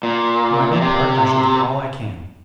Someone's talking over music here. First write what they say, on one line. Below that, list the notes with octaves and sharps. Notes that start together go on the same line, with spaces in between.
For my own part, I shall do all I can.
A#2
A#2
C3